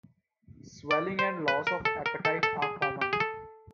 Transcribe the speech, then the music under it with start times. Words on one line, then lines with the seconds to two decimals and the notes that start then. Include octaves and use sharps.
Swelling and loss of appetite are common.
0.91 D5
1.19 C5
1.48 B4
1.67 A#4
1.85 A4
2.06 A#4
2.25 A4
2.43 A4
2.62 G#4
2.82 G4
3.01 G4
3.13 G#4
3.20 A4